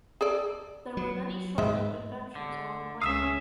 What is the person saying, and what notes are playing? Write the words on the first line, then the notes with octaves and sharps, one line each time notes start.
There were many short-lived inventions along the way.
G#4 A4 D5
F#3
G#2 G#3 E5
D3
C#2 C#4 E5 F5 D#6 E6